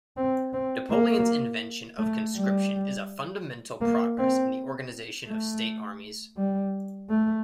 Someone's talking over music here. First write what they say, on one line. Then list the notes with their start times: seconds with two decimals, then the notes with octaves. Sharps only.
Napoleon's invention of conscription is a fundamental progress in the organisation of state armies.
0.17 C4
0.53 C4
0.91 A#3
1.99 A3
2.36 G3
3.81 A#3
4.18 C4
5.27 A3
6.37 G3
7.10 A3